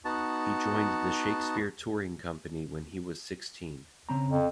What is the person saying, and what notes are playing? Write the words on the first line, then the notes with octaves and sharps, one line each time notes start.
He joined the Shakespeare Touring Company when he was sixteen.
B3 D#4 F#4 A5
C#3 C4 A#5
F2